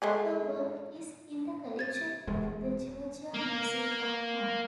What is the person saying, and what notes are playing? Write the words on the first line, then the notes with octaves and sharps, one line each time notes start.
Her work is in the collection of the Georgia Museum of Art.
G#3 A3 G#4
G4 G#6 A6
E1 G#3
A#3 A#4